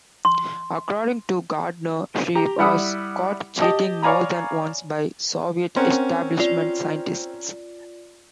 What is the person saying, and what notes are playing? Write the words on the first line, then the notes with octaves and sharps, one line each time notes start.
According to Gardner she was caught cheating more than once by Soviet Establishment scientists.
C6
G4 A#5
G3 E4 F#5 B5 D#6 E6
G4 D#5 A5
C#5 D5 F5 G#5 A#5 B5
C4 C#4 A#4 F#5
F4 D5